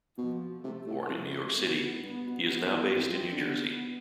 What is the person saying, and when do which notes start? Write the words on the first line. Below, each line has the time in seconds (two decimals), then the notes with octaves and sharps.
Born in New York City, he is now based in New Jersey.
0.18 B2 F3
0.64 C3 A3
0.87 A2
1.10 F2 A3
1.57 B3
2.03 G2 B3
2.26 B2
2.49 C3 B3
2.73 E3
2.96 E3 C4
3.08 F3
3.19 E3
3.31 D3
3.42 B3